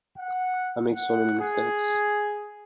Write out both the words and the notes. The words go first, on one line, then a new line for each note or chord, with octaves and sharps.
I make so many mistakes.
F#5
F#5
G#4